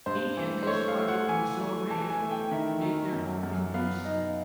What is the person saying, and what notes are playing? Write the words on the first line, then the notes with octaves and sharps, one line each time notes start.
He and his wife, Zoraida, make their home in Houston.
G2 C5
E3
C5
A3 C#5
F5
A3
F#5
E3 G#5
A3
E3 A5
G#5
A3
G5
D#3 E5
D#3
F#2
F#2
B3 F5
D#4